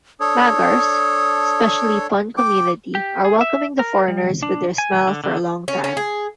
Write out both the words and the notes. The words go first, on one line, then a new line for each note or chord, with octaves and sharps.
Magars specially Pun community are welcoming the foreigners with their smile for long time.
D4 A4 C#5 D#6
G5 D6
G4
G#4
E5
A#4
G3
D4
G#5
D3
D3
C#4
C#4
G#4